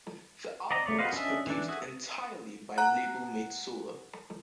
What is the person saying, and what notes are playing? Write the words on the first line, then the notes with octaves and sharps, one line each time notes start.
The album was produced entirely by labelmate Solar.
D5 D#5 A#5
A3 C#5 D5
B3 B4 C5 D#5 F5
C#4 D4 D#5 E5
E3 D4
F#4 G#4 E5 D#6
F#5 A#5 F#6